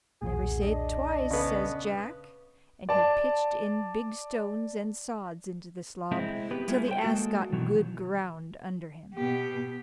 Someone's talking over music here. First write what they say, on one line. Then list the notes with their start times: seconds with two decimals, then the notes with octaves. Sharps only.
"Never say't twice," says Jack, and he pitched in big stones and sods into the slob, till the ass got good ground under him.
0.22 B1 E2 A#2 F#4 G#4
0.63 D4 D#5
1.31 C#3 B3
2.89 D5 A5
6.12 G#3 C4 E4
6.51 B3 G4 B4
6.68 G3 A3 A#3 E4 F4 G#4
6.88 C5 G5
7.03 G#3 A#3 F#4 A4
7.53 B2 D#3 E3 F#3
9.15 B2 G4